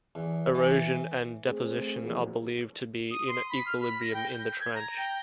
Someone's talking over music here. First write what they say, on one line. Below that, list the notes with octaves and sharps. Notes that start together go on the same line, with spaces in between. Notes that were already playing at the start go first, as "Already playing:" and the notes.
Erosion and deposition are believed to be in equilibrium in the trench.
E2
E3
A3 C4 G#4
E3 F3 G3 A#3 F#4
D#6
C6
B5
F6
B5
A#6
G5
G6
G#6
A#5
G5